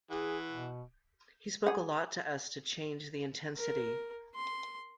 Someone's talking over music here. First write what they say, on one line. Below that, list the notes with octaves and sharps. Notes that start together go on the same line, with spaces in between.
He spoke a lot to us to change the intensity.
E3 G#4 F#5
B2
G#4 F#5
A#4
C6